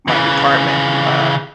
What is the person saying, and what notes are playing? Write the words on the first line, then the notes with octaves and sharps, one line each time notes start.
my department, uh
C#3 E3